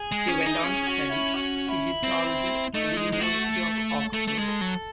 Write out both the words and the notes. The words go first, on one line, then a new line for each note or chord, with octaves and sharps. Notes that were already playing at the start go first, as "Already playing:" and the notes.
He went on to study Egyptology at the University of Oxford.
Already playing: G#4
G#3
C#4
D#4
C#4 G#4
F#4
E4
F#4
E4
C4
A3 D#4
G#3 D#4
G#3
A3 F#4
A4
A4
A3 A4
A3
G#3
A4
F#3